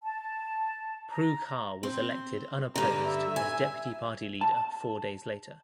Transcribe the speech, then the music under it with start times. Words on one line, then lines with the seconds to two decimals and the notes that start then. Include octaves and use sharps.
Prue Car was elected unopposed as deputy party leader four days later.
0.03 A5
1.10 A#5
1.83 C4
2.76 G2 D3 A#5
3.06 E5
3.36 G#5
4.41 A5